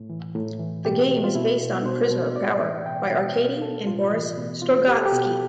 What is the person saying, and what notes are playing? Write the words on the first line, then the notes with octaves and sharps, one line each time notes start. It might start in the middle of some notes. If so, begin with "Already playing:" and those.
The game is based on "Prisoner of Power" by Arkady and Boris Strugatsky.
Already playing: A2
E3
A2
E3
B2 G4
B2
F4
B2 E4
B2
B2 C5
B2
A2 D5
E3 E5
B2 G5
B2
B2 F5
B2 A4
A2 F4
E3
B2
B2 F4
B2 G4
A4
G4
B2